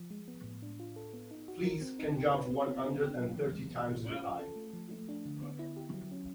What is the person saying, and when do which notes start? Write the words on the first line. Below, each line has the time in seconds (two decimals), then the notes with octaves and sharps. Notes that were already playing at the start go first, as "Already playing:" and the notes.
Fleas can jump one hundred and thirty times their height.
Already playing: F3
0.11 G#3
0.28 B3
0.44 A2
0.62 D4
0.80 F4
0.96 A4
1.14 B3
1.31 D#4
1.48 F#4
1.65 A#4
1.81 C4
1.99 D#4
2.16 G4
2.33 B4
2.51 C4
2.68 B3
2.85 D4
3.03 G4
3.19 F#3
3.36 E3
3.54 G#3
3.71 B3
3.87 C3
4.06 C#4
4.22 F4
4.39 A4
4.56 A3
4.73 F3
4.91 A3
5.09 D4
5.26 D3
5.42 B3
5.59 E4
5.77 G4
5.94 F#3
6.12 C#4